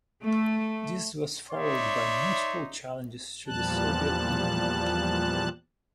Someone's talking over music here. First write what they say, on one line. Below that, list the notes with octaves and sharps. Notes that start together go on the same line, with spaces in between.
This was followed by multiple challenges to the Soviet Union.
A3
D#4 C#5 D5 E5 C6
E2 A#2 F3 G3 A5 F#6